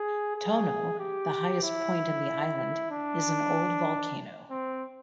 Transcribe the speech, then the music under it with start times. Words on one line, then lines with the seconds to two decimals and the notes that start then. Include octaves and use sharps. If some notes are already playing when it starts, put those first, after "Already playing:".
Tono, the highest point in the island, is an old volcano.
Already playing: G#4
0.36 G#4
1.00 G4
1.63 E4
2.91 D4
4.51 C4